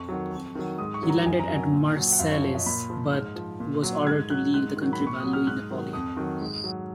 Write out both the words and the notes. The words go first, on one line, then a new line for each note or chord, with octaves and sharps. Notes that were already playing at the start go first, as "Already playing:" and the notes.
He landed at Marseilles, but was ordered to leave the country by Louis Napoleon.
Already playing: F2 C#6
D#3 F#3
F2
D#3 F#3
G#2 D#6
C#6
D#3 F#3
A#5
F#2 G#5
A#5
D#3 F#3 G#5
A#2
F#3
F#5
F#2 F5
C#5
F3
D#5
A#2 B5
F3
G#2 F6
F3
A#2
F#3
G#2 G#6
F#3 F#6
G#2 F#6
D#3 F#3
B5
A#2
C#6
F#3 D#6
F6
G#2 F#6
D#3 F#3
F2 D#6
D#3 F#3
G#2
F#3